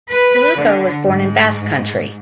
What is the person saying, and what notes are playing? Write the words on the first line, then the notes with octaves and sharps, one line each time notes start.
De Luco was born in Basque Country.
B4
D3
G#2